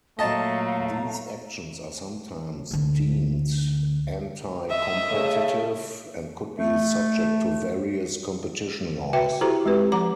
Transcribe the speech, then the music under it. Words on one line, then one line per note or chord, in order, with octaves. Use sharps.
These actions are sometimes deemed anti-competitive and could be subject to various competition laws.
A#2 F#3 A3 D#5 F5 A5 A#5
D2 D3
D#5 E5
C#3 A3
A3
F#4 B4 E5 G5
E4 F#4 G4 A4 C5 A#5
G#3 C4 G4 B4
F3 F#5 A#5 D6